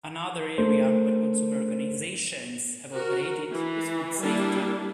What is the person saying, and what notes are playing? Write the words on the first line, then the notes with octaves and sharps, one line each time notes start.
Another arena where consumer organizations have operated is food safety.
A3 D4 A#4 C5
F#4 A#4
E3
G3 A#3 D4 E4